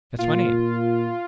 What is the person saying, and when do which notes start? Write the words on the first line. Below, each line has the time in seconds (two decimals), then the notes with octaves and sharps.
That's my name.
0.19 A#2 F4